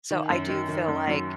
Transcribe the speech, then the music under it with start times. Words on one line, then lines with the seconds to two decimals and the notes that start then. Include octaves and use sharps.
So, I do feel like
0.11 D#3
0.30 F#2
0.49 D#3
0.69 D#3
0.88 F#2
1.08 F#3